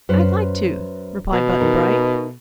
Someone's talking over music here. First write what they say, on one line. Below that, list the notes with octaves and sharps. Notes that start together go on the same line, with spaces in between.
"I'd like to," replied Button-Bright.
F#2 B4 C5
B2
A3 D#4 A#4